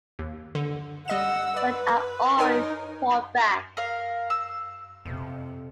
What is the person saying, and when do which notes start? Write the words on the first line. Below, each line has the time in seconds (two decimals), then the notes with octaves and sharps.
But I always fought back.
0.19 D#2
0.55 D3
1.08 G3 D#5 F#5 E6 E7
1.56 B4 D5
2.39 D#4 A#4 C#5 G#5
3.77 A#4 F5
4.30 E6
5.05 F2 C3